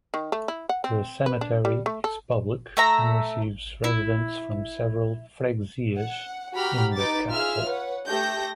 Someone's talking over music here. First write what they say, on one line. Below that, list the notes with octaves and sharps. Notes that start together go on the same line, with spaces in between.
The cemetery is public and receives residents from several "freguesias" in the capital.
D#3
A3
E4
F#5
C4
B4
D4
G3
A3
A4
A3 E5 A#5
E4
F#5
F#4 G4 A#5 B5 F6
D#4 B4 D6 A6
F4 G#4 E5 E6 F6
B4 C#5 F#5
A3 G4 G6 A#6